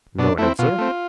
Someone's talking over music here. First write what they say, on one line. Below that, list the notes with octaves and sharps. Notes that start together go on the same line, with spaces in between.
No answer.
B2 D4
A3 C4 E4
B2 F4
A3 C4